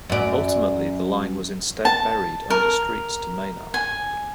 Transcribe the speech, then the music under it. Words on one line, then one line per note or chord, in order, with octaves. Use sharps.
Ultimately the line was instead buried under streets to Maynard.
F#2 D5
A5
A#4
G#5